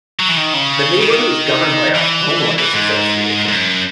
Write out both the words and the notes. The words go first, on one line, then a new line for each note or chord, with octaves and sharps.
The neighborhood is governed by a homeowners association.
F#3
E3
D#3
C#3
D#3
E3
E3
G#2
G#2
F#2